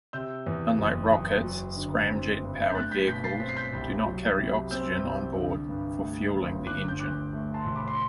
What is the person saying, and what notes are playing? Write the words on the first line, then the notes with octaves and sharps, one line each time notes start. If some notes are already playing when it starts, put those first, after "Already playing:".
Unlike rockets, scramjet-powered vehicles do not carry oxygen on board for fueling the engine.
C3 E6 G6
E2
F#1
F#1
F#3
D3
C4
G2
G6
A3 F#6 A6
G6 B6
B2 G6 B6
A6 C7
C4 B6
C7
G6 B6
C2
F#3
C3
C4 E6 G6
C2
D3
G2
A3
G1
D3 D6 F#6
G6
D2 D6 F#6
A3
A5 C6
E1
B5 D6
C6